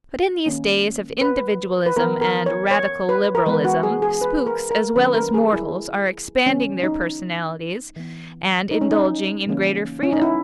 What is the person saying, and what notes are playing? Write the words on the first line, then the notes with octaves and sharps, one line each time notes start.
But in these days of individualism and radical liberalism, spooks as well as mortals are expanding their personalities and indulging in greater freedom.
D#3 A#3 C#4
B4
B4
E3 B3 A#4
A#4
C#5
C#5
B4
A#4
E3 G#3 B3 B4
F#4
G#4
G#4
B4
A#4
A#4
D#3 F#3 A#3 C#4 B4
A#4
G#4
E4
C#3 E3 G#3 B3 C#4
D#4
E3 B3
D#4
C#4
D#4
C#3 E3 A#3 C#4
C#4
D#4
E4